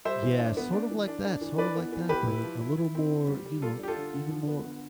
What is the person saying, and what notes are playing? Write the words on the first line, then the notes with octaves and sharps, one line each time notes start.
Yeah, sort of like that, sort of like that, but a a little more, you know even more
G3 C5 E5
E3
D4
B3
D4
E3
D4
D4
E3
E3 B4 D5
B3
E3
E4 G4 B4
E4
F3
E4
E4
C4
D3
G3
G3
G3 F4 A4
D4 G4
F4 A4
D3
D3
F3
B3
D3